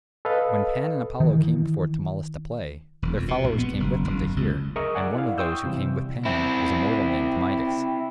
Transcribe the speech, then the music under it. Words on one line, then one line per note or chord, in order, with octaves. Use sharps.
When Pan and Apollo came before Tmolus, to play, their followers came with them, to hear, and one of those who came with Pan was a mortal named Midas.
A4 B4 D#5 F5
D#3 E3
E1
F2
B2
A#1
B3
F#1
F#1
C#2
G#4 A#4 D#5 E5 C#6 D#6
D5 E5 F#5 G#5
E4 F5
G5 C6 C#6 D#6 E6 G6
C3 E3 G3
C4 E4